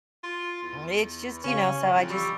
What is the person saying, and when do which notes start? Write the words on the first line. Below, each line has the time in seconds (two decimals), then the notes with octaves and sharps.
It's just, you know, so I just
0.23 F4
0.62 E2
1.44 C#3 C#4 G4 F5
1.95 F2 E3 F3
2.10 G3 B5 C#6 E6